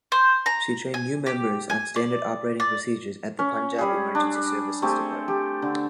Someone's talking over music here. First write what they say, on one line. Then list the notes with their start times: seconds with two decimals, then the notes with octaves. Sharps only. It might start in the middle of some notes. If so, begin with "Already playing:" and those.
She trained new members on standard operating procedures at the Punjab Emergency services Department.
0.12 C5
0.46 A#5
0.94 G#5
1.26 G4
1.70 G#5
1.96 D5
2.60 D5
3.39 C#4
3.78 G3 G#4
4.15 D4
4.82 A3 C4 G4 G#4
5.28 G4
5.62 D3